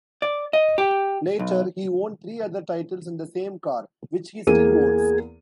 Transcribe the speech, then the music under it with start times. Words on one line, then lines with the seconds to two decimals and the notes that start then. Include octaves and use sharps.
Later he won three other titles in the same car, which he still owns.
0.22 D5
0.53 D#5
0.78 G4
1.39 B1
4.47 E2 A#3 G#4 D#7